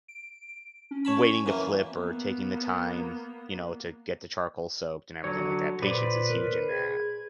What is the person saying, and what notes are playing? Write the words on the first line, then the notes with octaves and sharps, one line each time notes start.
waiting to flip or taking the time, you know, to get the charcoal soaked and everything like that. Patience is huge in that.
D7
C#4
C#5 A5 B5
F#2 E3 A#3
A#3 B3
D3 F#3 C#5
A#2 B4 C5 D5
A#4
G#4 G#6